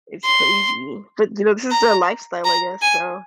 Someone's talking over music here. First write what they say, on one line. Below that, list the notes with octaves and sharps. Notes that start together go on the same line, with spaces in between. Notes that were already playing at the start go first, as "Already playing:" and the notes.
It's crazy, but you know, this is their lifestyle, I guess, so
C6
A#5
A#5
G#5